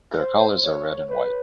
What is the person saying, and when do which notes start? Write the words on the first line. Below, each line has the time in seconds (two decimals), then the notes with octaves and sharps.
Their colors are red and white.
0.19 C5
0.65 C#5
1.10 B4